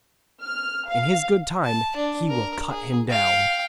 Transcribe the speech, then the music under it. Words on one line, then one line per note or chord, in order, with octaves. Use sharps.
In His good time He will cut him down.'
F6
F5
A5
D4
A#4
G#4
F5 G5